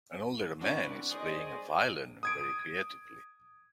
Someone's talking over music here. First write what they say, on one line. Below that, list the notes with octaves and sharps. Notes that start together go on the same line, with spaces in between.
An older man is playing a violin very creatively.
C3 E3 D4 F#4 B4
G#4 C5 D5 D#5
D#6 G#6 D7